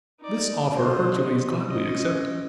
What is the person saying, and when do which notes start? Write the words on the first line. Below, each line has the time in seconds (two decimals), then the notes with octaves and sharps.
This offer Hercules gladly accepted.
0.20 D#4 D5
0.77 D4 F#4 C5 D#5
1.68 C#4 D#5